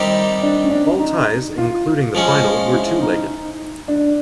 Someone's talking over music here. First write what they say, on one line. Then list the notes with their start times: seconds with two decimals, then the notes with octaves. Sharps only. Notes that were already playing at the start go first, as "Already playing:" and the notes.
All ties, including the final, were two-legged.
Already playing: D#3 G3 C4 D#4 G4
0.42 D4
0.64 C#4
0.70 D4
0.99 D#4
1.58 F4
2.15 F3 G#3 C#4
2.73 E4
3.02 D#4
3.88 D4